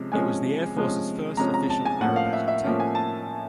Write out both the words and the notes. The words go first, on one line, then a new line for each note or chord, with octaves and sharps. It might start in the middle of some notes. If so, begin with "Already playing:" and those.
It was the air force's first official aerobatic team.
Already playing: C3 F3 G#3 C#4
C3 F3 G#3 C#4 G#5
C3 F3 G#3 C#4
C3 F3 G#3 C#4 A#5
A#5
A5
G#5
A2 F3 A#3 C#4 F#5
F5
E5
E5
A2 F3 A#3 C#4
G#5
A5